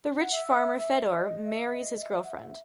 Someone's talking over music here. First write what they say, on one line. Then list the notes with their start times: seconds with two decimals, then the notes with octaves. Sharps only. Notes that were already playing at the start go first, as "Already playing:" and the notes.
The rich farmer Fedor marries his girlfriend.
0.20 F#5
0.32 E5
1.16 D#5
1.45 E5
1.73 D#5
1.90 D#5
2.02 E5
2.24 F#5
2.30 E5